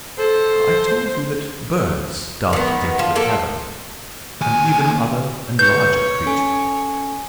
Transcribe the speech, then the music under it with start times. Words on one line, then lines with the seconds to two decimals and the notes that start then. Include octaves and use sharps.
I told you that birds darted into the cavern, and even other and larger creatures.
0.19 A4 C5
2.53 D#3 B3
2.99 F3
3.15 F3 A#3 A4
4.41 D#2 G#5
5.59 B4 C#5 G6
6.26 C#4 A4 G#5